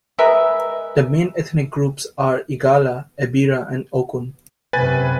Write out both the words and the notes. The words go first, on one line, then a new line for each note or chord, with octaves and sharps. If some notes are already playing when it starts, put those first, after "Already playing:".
The main ethnic groups are Igala, Ebira, and Okun.
G#3 A#4 B4 E5
F#2 C3 B4 G#5 A6